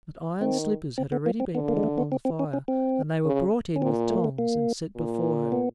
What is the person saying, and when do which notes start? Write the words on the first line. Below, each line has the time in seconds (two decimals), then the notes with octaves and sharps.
But iron slippers had already been put upon the fire, and they were brought in with tongs, and set before her.
0.41 D#3 C4
0.98 C4
1.12 B3
1.26 A#3
1.40 C4
1.54 D3 B3
1.69 A#3
1.77 G#3
1.83 A3
1.98 B3
2.12 C4
2.25 C4
2.39 C#4
2.53 C#4
2.68 C4
3.25 C#3
3.76 C#4
3.81 A#2 C4
4.10 A3
4.18 A#3
4.24 A3
4.38 A#3
4.96 A#2
5.52 B3